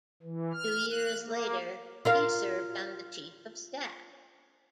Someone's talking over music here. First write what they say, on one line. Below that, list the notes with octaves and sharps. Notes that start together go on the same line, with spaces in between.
Two years later, he served on the Chief of Staff.
E3
F6
F#6
A#3
F4 A#4 F5